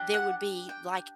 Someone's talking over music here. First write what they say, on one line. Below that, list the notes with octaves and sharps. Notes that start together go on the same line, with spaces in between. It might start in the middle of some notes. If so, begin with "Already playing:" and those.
there would be, like,
Already playing: D4 G4
F#5
G5